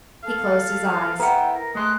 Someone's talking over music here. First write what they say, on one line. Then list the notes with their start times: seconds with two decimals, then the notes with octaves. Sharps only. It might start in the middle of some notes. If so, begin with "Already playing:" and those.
He closed his eyes.
0.24 A4 F5
1.20 E4 A4 B4 E5 F#5 G5 A#5
1.53 A#4
1.75 A3 G#4 D#5 C6 F#6